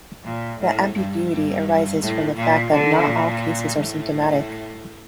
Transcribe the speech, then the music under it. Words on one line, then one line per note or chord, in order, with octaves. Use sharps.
The ambiguity arises from the fact that not all cases are symptomatic.
A#2
A2
G2
G2
A2
A#2
D3
A#2
A2